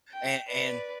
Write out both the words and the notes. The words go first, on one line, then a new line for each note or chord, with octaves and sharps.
And and,
G5
B4 D5